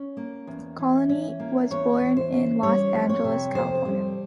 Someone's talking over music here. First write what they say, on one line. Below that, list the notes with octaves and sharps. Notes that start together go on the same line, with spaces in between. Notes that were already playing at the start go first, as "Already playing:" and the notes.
Cooley was born in Los Angeles, California.
Already playing: C#4
A#3
E2
E3
C#4
A#3
E2 C#5
E3
C5
C#4
G3 C#5
F2
C#5
C3
F2 C5
G3